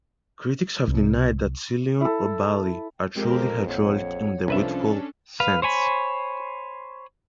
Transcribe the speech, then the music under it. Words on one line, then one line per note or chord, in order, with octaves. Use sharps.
Critics have denied that Ceylon or Bali are truly hydraulic in the Wittfogel sense.
C2
E4 A4
F2 G#3 C4 G4 A#4
A#1 C#5 F#5
C2 F3 C#4 D4 A4 B4 E5
B4 F5
C5 C#5 G#5 B5